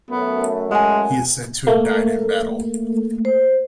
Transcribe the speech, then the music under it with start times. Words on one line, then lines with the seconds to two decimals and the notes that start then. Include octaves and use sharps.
He is said to have died in battle.
0.11 F#2 A3 B3
0.71 G#3 F#5 G#5
1.67 A3 A#3
3.25 C5